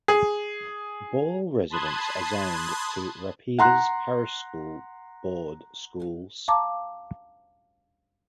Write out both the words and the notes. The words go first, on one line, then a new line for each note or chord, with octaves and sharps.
Ball residents are zoned to Rapides Parish School Board schools.
G#4
A5 B5 C6 D#6 F#6 G#6
F#5 A#5 C6 F#6
F5 A5 A#5 D6